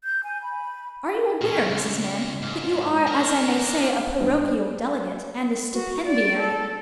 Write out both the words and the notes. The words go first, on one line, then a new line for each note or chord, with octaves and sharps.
Are you aweer, Mrs. Mann, that you are, as I may say, a porochial delegate, and a stipendiary?'
G6
G#5
B5
A#2 C#4
C#2
G#2
D4 A#4
G2
F#4
D5
A4